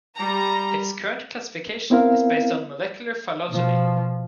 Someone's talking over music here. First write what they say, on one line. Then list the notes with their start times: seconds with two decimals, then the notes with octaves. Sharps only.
Its current classification is based on molecular phylogeny.
0.16 G3 A#5
1.90 B3 C4 E4 A#4 F5
3.48 B2 F3